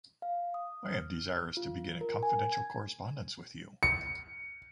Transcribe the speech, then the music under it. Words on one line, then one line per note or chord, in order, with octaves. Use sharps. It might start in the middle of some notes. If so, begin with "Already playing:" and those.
I am desirous to begin a confidential correspondence with you.
F5
D#6
F6
F4
A#4
G#5
G#6
C#7